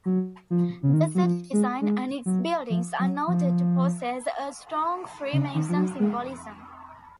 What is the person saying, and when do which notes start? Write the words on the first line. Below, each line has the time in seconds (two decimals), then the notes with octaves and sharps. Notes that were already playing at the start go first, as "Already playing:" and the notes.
The city design and its buildings are noted to possess a strong Freemason symbolism.
0.06 F#3
0.50 F3
0.83 C#3
0.93 D#3
1.15 F#3
1.23 F3
1.53 G#3
1.81 G#3
2.26 F#3
2.70 F3
2.99 F#3
3.28 F3
5.33 C#3
5.55 D#3
5.69 F3
5.77 F#3
6.00 G#3